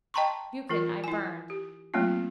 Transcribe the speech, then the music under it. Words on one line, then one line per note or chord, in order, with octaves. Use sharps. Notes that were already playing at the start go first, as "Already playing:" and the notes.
"Buchan" I burned.
D#5 G5 A5 A#5 C6 C#6
E3 F4 A#4
E4 G#5
G4
F#3 A3 A#3 C4 C#4 F4